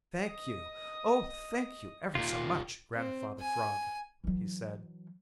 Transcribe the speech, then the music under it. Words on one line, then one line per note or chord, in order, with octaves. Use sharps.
"Thank you, oh, thank you ever so much, Grandfather Frog," he said.
D#5 D#6
D#2 A#2 F4
C4
G#5
E3 F#3